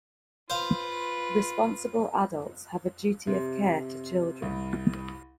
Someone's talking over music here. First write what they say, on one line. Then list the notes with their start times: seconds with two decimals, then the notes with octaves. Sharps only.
Responsible adults have a duty of care to children.
0.50 F4 B4 C5 F5
3.27 C3
4.42 C2